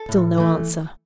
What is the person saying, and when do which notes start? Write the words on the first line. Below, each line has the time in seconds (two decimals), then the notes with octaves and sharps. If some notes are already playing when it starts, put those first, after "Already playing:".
Still no answer.
Already playing: A4
0.09 A2
0.37 E3 A3